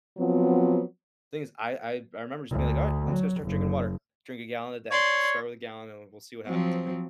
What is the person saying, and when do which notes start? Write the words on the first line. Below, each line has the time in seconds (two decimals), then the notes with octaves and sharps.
things I I I remember just being like, "Alright. I'm just gonna start drinking water. Drink a gallon a day. Start with a gallon, and we'll see what happens." I mean,
0.18 F3 F#3 B3 C4
2.51 D2
3.12 F#3
3.42 F#1
4.91 C#5 D5 C6
6.46 F3 F#3 C4